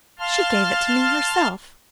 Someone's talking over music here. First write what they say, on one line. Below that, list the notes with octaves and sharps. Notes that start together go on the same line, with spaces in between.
"She gave it to me herself."
F5 A5 C6 F6